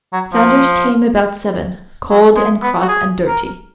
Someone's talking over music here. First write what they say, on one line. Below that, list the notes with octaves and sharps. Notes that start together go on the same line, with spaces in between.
Saunders came about seven, cold and cross and dirty.
F#3
F3
F#3
G#3
B3
F#4
G#4
A#4